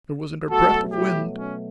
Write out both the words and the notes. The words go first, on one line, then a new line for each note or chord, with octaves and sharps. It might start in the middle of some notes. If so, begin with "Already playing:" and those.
There wasn't a breath of wind.
B2 F#3 A3 F#4 A4
E4 G4
C#4